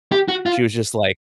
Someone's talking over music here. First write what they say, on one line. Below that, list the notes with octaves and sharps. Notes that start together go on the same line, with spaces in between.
She was just, like
G4
F#4
F4